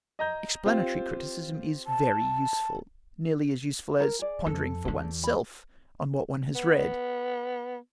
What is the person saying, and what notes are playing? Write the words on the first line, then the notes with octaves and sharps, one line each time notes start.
Explanatory criticism is very useful; nearly as useful as pondering for oneself on what one has read!
D#5 A#5 G6
C4 F4 G4
A5
A#4
G#4 D5
F2 A4
E2 D4
B5
B3